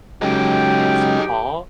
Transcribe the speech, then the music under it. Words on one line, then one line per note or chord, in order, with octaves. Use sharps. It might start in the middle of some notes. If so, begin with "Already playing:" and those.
it's a call,
C#3 F#3 G#3 C#4 D#4 G4 A4 G5